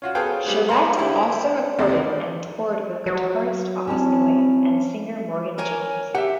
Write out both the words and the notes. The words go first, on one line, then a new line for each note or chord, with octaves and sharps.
Charette also recorded and toured with guitarist Oz Noy and singer Morgan James.
C#4 F4 F#4
B3 G#4 A4 C5 F5 G5
G3 G#3 B3
C#5 A5 A#5 C6
D3 E4 G4 C5
A#1 D#2 C3 G3 C4 A4
F#3
C4 C#4 E4 A5
A#4 C#5 G#5
G4 E5 F#5